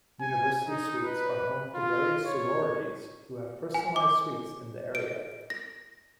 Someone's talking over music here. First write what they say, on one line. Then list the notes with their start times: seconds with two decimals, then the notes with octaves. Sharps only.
University Suites are home to various sororities who have personalized suites in the area.
0.21 G#5
0.68 D#4
1.04 B4
1.75 F4
2.26 C#5
3.74 G#5
3.96 D6
4.95 D7
5.50 A#6